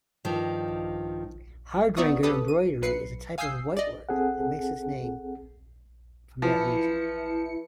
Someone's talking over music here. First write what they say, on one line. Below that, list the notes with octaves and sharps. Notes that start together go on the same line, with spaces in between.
Hardanger embroidery is a type of whitework that takes its name from that region.
G2 D#3 F3
B3 D#4 D5 E5 C#6 D#6
G4 A4 B4 D#6
D#7
B1 B4 C7 C#7
F5 G#5 D#6 E6 G6 C7
D5 D#5
C4 G#4 A4 F#5
E3 F3 E4 C#7